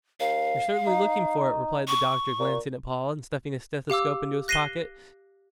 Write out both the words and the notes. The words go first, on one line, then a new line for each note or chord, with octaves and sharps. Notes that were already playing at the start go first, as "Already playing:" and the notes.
"You're certainly looking for it," replied the doctor glancing at Paul and stuffing his stethoscope into his pocket.
D#2 F5
D#4
C#6
A#2
G4 F5 D6 E6
F#6 A#6 C7 D#7 E7 G7